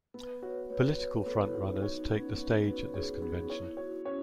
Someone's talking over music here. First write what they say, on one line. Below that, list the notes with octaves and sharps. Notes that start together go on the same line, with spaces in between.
Political front runners take the stage at this convention.
B3 B4
F#4 C#5
B3 C#5
F#4 B4
B3 A4
E4
D#4 F#4
D#4 C#5
B3 C#4
B3 B4
B3 F#4
G#4 C#5
B3 G#4
E4 C#5
F#4 C#5
C#4 C#5